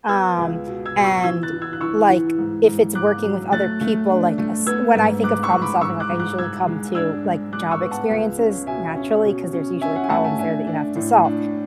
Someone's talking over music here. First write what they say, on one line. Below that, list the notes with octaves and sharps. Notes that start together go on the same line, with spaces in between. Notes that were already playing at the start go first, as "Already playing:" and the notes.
Um, and, like, if it's working with other people, like a s when I think of problem solving, like, I usually come to, like, job experiences, naturally, 'cause there's usually problems there that you have to solve.
B3 E6 G#6
C#2
B2
E6 G#6
B2
C#6 E6
E3 E6 G#6
F#6 A6
E3
E6 G#6
F#6
E3 C#6 E6
E3
G#2
G#2
G#2 D6 F#6
F#3
A3 F#6 A6
A3
D4
A3
B3 E6 G#6
G#2
G#2 D6 F#6
C#6 E6
G#2
B5 D6
G#2 C#6 E6
D6 F#6
G#2
D6 F#6
G#2 E6 G#6
G#3
D4 E6 G#6
G#3
G#3 D6 F#6
C#6 E6
B3
F#5 A5
C#2
C#4
B2 E5 G#5
C#4
B2
C#4
C#4 E5 G#5
F#5
G#5
A3 F#5 A5
E5 G#5
D4 E5 G#5
D4
A2
D4